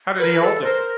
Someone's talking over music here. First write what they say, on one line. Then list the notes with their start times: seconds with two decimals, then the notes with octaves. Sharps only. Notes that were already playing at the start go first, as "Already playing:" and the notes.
How did he hold it?
0.19 A#4 B4
0.41 A4
0.63 A#4 C5